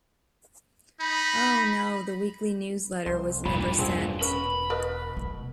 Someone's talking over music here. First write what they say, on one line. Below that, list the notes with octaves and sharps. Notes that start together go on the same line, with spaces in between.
Oh no, the weekly newsletter was never sent!
D#4 B5
C2 C5
E1 G2 A#2 B5
B2 C4 G#4
C#4 A#4 B4 B5
A#4 B4 D#5
A3